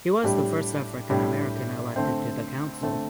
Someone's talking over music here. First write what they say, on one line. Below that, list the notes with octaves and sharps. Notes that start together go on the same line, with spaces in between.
He was the first African American elected to the council.
A2 G3 D4 G4
A2 G3 D4 G4
D3 A3 C4
D3 A3 C4